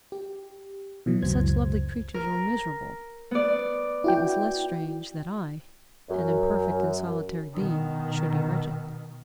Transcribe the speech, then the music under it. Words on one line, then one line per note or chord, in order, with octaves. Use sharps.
If such lovely creatures were miserable, it was less strange that I, an imperfect and solitary being, should be wretched.
G4
B2 E3 F#3
C#2 F#2 C5 G#6
A#4
B3 D5
E4 F#4 G5
F#2
B2 D#3